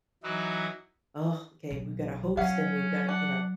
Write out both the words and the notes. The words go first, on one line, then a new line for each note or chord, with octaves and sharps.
"Oh, okay, we've gotta host, and we've gotta" you know?
E3 F#3 D#4 E4 F#4
B1
F#3 C#4 F5 F#5
D4 F#5